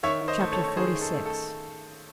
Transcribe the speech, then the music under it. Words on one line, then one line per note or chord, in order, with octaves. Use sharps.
Chapter XLVI.
D#3 C#5 E5
D#3
C5 D#5
A3
A4 C#5
A3
C#5
D#3 G#4 C5
D#3
A4
A3
A4